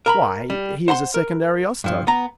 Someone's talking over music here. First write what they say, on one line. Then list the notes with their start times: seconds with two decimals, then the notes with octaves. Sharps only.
"Why, he is a second Ariosto."
0.06 A#4 A#5 B5
0.50 G3
0.88 C5 F#5 A#5 C6
1.14 A#4
1.84 G2 F3
2.07 B3 A#5